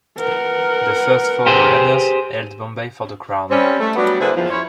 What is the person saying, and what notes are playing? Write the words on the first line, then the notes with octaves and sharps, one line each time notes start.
The first four governors held Bombay for the Crown.
A#4 B4 F#5
G4 G#4 C5
G3 C4 C#4
A3
F#3 G3 B3 D4 F#4 D5
D3 A#3 E4 G#4 B4 C5
E2 F3
C#4 E4 C5 C#5